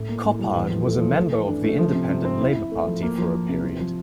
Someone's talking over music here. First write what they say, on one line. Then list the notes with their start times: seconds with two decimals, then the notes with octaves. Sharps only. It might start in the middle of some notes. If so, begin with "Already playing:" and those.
Coppard was a member of the Independent Labour Party for a period.
Already playing: A2
0.09 A#3
0.24 A2
0.39 G3
0.55 E2
0.70 F3
0.86 A3
1.01 F3
1.17 A3
1.32 E3
1.48 D4
1.64 A3
1.79 F3
1.95 C3
2.09 C3
2.25 C4
2.41 E4
2.56 E4
2.72 A3
2.87 F3
3.03 A#3
3.18 F3
3.34 F3
3.49 C3
3.64 F3
3.80 F3